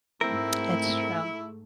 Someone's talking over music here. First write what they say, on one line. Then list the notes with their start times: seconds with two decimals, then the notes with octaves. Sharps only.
It's true.
0.21 G#2 A3 C4 E4 A#4